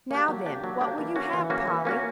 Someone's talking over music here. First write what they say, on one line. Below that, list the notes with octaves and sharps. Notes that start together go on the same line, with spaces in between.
"Now, then, what will you have, Polly?"
A#3 D4 G4
F#3
A#3 D4 G4
F#3
A#3 D4 G4
E3
A#3 C#4 F#4
E3
A#3 C#4 F#4
E3
A#3 C#4 F#4